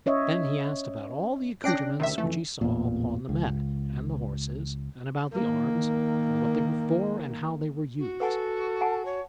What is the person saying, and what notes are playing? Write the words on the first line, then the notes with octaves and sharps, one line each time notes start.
Then he asked about all the accoutrements which he saw upon the men and the horses, and about the arms, and what they were for, and how they were used.
C#4 C#5 D#5 E5
C#4 D4 D5 G5 F#6 A#6 C7 D7
D2 C3 D#3 E5
F2 E3 A3
A1 E2 A#2
C#2
D#3 A#3
F#4
A4 B4 F#5 G#5
F#5 G#5 A5
C#5